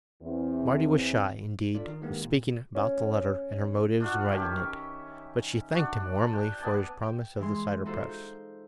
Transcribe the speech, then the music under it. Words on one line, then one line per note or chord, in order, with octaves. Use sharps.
Marty was shy, indeed, of speaking about the letter, and her motives in writing it; but she thanked him warmly for his promise of the cider-press.
E2 C4
D4 F4 A4 D5
D#3 D#4
D#3 G#3 A#3 B3 D4 G4
A#2
C#4
D4 F4 F#4 F#5
D#3 C#4 G4 E5
D4 F#4
D5
G5
B3 D5 G#5 A5
G5
E3 G#3 C6
D#4 F4 F#4 A4 C5
G6